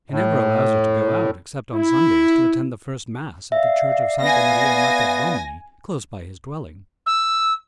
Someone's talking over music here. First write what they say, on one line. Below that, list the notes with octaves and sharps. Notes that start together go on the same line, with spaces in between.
He never allows her to go out except on Sundays to attend the first mass at the Church of Santa Maria Mater Domini, close by his dwelling.
A2
E4
D5 E5 F5
B3 G#5 A#6
E6